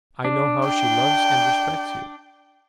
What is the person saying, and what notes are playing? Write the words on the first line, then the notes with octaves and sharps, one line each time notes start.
I know how she loves and respects you.
D4
G5